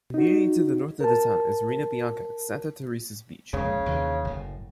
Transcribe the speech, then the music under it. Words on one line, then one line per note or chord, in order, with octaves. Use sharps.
Immediately to the north of the town is Rena Bianca, Santa Teresa's beach.
D#4 F#4
A#4 A5
F1 C#2 A#2 C#3
D#2 C3 E3
F#1 A2